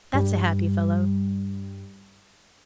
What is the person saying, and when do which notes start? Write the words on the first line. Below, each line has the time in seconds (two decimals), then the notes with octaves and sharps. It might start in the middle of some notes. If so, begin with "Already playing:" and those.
That's a happy fellow!
0.14 G2 G3